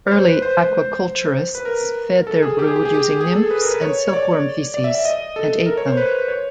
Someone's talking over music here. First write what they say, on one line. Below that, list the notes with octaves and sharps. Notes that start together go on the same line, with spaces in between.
Early aquaculturists fed their brood using nymphs and silkworm feces, and ate them.
C#5
C5
B4
C5
B4
A#4
A4
G#4
G4
G#4
G4
G#4
G4
G#4
A4
B4
A#4
B4
C#5
C#5
D5
D5
E5
E5
D#5
A4
A#4
C#5
C5
B4
C#5